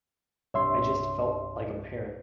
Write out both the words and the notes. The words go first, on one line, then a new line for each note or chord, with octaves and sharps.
I just felt like a parrot.
C2 G2 C3 C#5 E5 C6